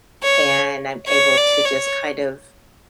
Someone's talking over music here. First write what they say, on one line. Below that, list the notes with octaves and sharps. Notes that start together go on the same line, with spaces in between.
and I'm able to just kind of
C#5
C#5
D5
C#5